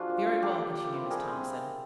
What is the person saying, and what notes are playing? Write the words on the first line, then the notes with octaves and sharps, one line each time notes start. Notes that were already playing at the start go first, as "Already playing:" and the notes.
"Very well," continued Miss Thompson.
Already playing: F3 D4 F4 F#4 G#4
A#3
D4 F4
A#3 G4 A4
D4 F4
G3
C4 E4
G3 G#4 A#4
C4 E4